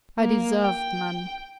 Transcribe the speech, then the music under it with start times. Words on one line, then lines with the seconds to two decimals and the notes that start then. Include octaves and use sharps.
I deserved none.
0.20 A#3
0.62 G5